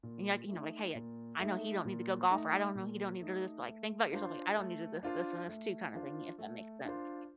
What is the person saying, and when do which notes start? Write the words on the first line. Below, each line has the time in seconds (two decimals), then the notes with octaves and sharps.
and, you know, like, "Hey, I know he don't need to go golf," or, I don't know, "He don't need to do this." But, like, think about yourself, like, "I don't need to do this, this and this too," kinda thing, if that makes sense
0.03 A#2
0.49 A3 D#4
0.95 A#2
1.39 A3 D#4
1.85 A#2
2.31 A3 D#4
2.75 A#2
3.21 A3 D#4
3.67 A3
4.12 D4 F4 C5
4.57 A3
5.03 D4 F4 C5
5.48 A3
5.93 D4 F4 C5
6.38 A3
6.84 D4 F4 C5